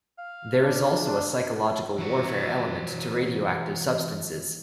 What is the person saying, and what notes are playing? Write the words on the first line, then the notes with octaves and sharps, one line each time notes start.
There is also a psychological warfare element to radioactive substances.
F5
D4
D4
E3 F#4